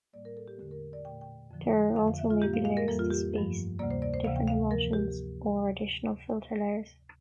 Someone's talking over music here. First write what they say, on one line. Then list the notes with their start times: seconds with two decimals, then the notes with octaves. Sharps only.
There also may be layers to space different emulsions, or additional filter layers.
0.13 A2 G3 A#3 D5
0.25 A#4
0.37 A4
0.48 G4
0.59 E2 D3 A3 G4
0.71 A#4
0.93 D5
1.05 A#2 A3 G5
1.21 G5
1.51 F2 D3 F3
1.96 F2 D3 F3 A3 F5
2.08 F5
2.19 E5
2.30 F4
2.42 A2 G3 A#3 G4
2.53 F5
2.65 F5
2.77 A#4
2.88 F2 E3 G3 A#3 A4
2.99 F4
3.10 G4
3.33 G2 F3 A3
3.79 D2 C3 G3 A#3 D5
3.91 C5
4.02 D5
4.14 C5
4.25 D2 C3 E3 A#3 F5
4.36 G5
4.48 F5
4.70 G2 F3 A#3 A#4
4.93 G4